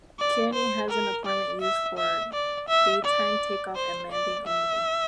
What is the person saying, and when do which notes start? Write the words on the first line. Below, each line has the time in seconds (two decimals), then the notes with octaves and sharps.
Kearny has an airport used for daytime take off and landing only.
0.19 D5
0.54 C5
0.90 A#4
1.25 D5
1.62 E5
1.98 E5
2.33 D5
2.69 E5
3.05 D5
3.76 C5
4.12 D5
4.47 E5